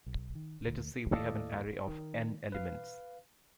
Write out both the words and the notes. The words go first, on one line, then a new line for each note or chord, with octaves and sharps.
Let us say we have an array of n elements.
B1
D#3
D2
D#2 A2 A4 D5 D#5 F5
D#3
B4 F5